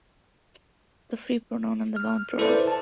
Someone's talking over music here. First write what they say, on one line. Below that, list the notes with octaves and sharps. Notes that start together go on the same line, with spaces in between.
The free pronoun and the bound pronoun.
F6
E4 A4 B4 C5 D5
A5